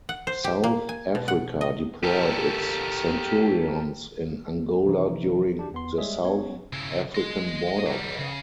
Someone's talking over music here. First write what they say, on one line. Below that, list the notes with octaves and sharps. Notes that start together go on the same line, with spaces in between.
South Africa deployed its Centurions in Angola during the South African Border War.
F#5
C5
G4
A#3
G#5
B2
F#5
D#5
G4 A4 A#4
C3 E3 F3 D#4
D4 G4
E2 B3 C6
G3 G#3 G#4 C#5 E5
F#3 B3 C#4 C#5
C#3 E4
D#5 C6
F#3 G3
C#3